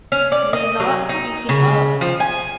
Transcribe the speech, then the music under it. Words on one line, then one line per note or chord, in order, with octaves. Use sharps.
you're not speaking up
C#4
D5
D#5
F#3
D#4
C#3
F3
G#5